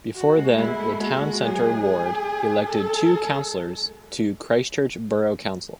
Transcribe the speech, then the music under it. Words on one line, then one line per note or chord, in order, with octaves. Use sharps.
Before then the Town Centre ward elected two councillors to Christchurch Borough Council.
F#4
G#3
G#3 E4
A3
G#3 F#4
F#3 G#4
G#4
A4